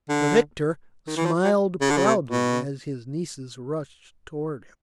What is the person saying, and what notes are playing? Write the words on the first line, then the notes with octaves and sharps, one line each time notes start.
The victor smiled proudly as his nieces rushed toward him.
D3
D#3
E3
F3
F#3
C#3
D3
C#3
C3
B2